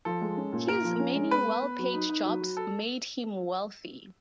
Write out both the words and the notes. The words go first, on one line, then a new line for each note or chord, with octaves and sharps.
His many well paid jobs made him wealthy.
F3 A4
G#3
C#4
A#2
A#2 A#4
F3
C#4
G#3
B3 B4
B3
B3
F#3
D#4
D#4
F#3
F#3
A4